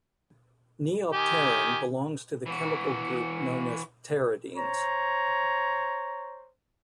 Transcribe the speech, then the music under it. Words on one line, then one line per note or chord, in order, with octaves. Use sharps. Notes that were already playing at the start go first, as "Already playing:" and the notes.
Neopterin belongs to the chemical group known as pteridines.
D#3 G4 G#5
E3 F#4
C5 C#5 A#5